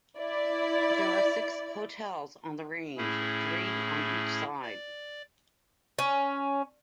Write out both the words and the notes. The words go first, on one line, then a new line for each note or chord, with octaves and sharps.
There are six "hotels" on the Range, three on each side.
E4 D5
A2 A3 C#4 E4 G#4
D5
C#4